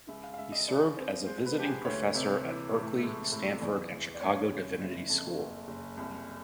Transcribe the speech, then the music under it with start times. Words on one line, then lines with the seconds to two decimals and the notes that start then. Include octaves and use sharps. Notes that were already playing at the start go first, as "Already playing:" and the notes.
He served as a visiting Professor at Berkeley, Stanford and Chicago Divinity School.
0.08 C#2 E5
0.24 F5
0.34 F5
0.38 C#2 E5
0.52 D#5
0.68 C#2 D5
0.97 C4
1.26 G#3 C5
1.46 B4
1.56 F3 G4
1.66 G#4
1.85 D2 C#5
2.15 C3
2.44 E3
2.73 A2
3.03 G#3
3.32 A2
3.62 E2 D5
3.92 E2
4.14 D5
4.21 F1 C#5
4.50 C#3
4.80 F#1
5.10 F2
5.39 F#1
5.68 F#1
5.97 C2